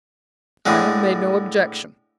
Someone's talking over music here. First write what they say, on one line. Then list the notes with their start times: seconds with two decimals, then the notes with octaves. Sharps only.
"I have made no objection."
0.66 A2 D3 G#3